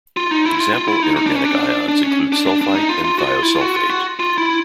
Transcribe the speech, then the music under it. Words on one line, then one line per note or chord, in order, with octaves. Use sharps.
Example inorganic ions include sulfite and thiosulfate.
F4
D#4
E4
F4
F4
E4
D#4
D#4
D4
C#4
D4
D4
C#4
D4
D4
D4
D#4
F4
F4
F#4
F4
E4
F4
F#4
F4
F#4
F4
E4